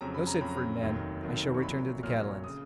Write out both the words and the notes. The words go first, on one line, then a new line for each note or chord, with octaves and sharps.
"No," said Fernand; "I shall return to the Catalans."
F2 C#3 F#3 A#5
B5
A#5
F2 C#3 F#3 B5
A#5
B5
F1 D#2 D#3 F#3
F1 D#2 D#3 F#3
C#6
A#1 A#2 F#3 B5
A#1 A#2 F#3 F6
C#3 D#6